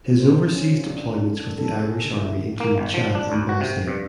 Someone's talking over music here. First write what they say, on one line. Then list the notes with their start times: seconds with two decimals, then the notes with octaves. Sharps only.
His overseas deployments with the Irish Army included Chad and Bosnia.
0.06 C5
0.20 C5
0.35 E4
0.52 C#4
0.72 F4
0.90 D4
1.33 A4
1.58 A4
1.80 G#4
2.04 D3
2.18 E4
2.60 A#3
2.78 G1
2.94 F3
3.15 D4
3.32 D2
3.49 F#4
3.61 C3
3.88 G2